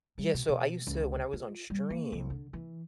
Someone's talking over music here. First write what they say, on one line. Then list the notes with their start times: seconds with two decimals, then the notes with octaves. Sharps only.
Yeah, so I used to when I was on stream,
0.18 G3
0.34 B2
0.48 B2
0.87 C#2
1.33 F4
1.70 G3
1.90 A#3
2.12 C2
2.30 D3
2.53 E3